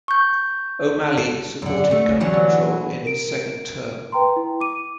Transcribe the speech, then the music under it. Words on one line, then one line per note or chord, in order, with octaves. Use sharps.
O'Malley supported gun control in his second term.
C#6 G6
A4
F#2 D3
A3
D3 E3 F#3
A#4 D7
B4 G5 A#5 C6
E4
D6 D#7